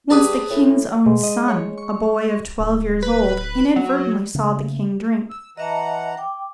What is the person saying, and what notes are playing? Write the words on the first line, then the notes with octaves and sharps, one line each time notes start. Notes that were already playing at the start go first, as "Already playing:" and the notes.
Once the king's own son, a boy of twelve years old, inadvertently saw the king drink.
G3 G#4 B4 A5
A2
B2 G#3
D#5
C#5
C#6
D1
B4
F#3
C#3 A3 A#3
E6
E3 D#5 E5 F#5 A5 A#5
G5 D6